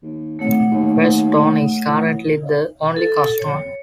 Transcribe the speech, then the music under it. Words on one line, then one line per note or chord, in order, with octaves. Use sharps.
Firestone is currently the only customer.
D#2
G#1 A3 C#5 F#5
D#2
E3
A4
C#5